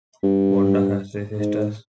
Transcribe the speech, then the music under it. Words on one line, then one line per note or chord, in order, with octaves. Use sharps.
Vonda has three sisters.
G2
G#2